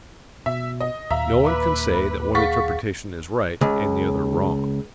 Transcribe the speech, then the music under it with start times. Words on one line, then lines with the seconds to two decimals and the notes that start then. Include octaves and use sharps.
No one can say that one interpretation is right and the other wrong.
0.46 B2 E5
0.80 D#5
1.11 D#2 A#2 E5 F5 A#5
1.46 B4 D6
2.35 G#4 F5 F#5 C#6 A6 B6
3.61 C#2